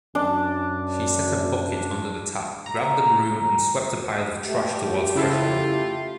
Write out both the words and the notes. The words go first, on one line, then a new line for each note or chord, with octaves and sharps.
She set a bucket under the tap, grabbed the broom, and swept a pile of trash toward threshold.
F#2 D4
A#5
A3 G4
C#3 E4 F4 A4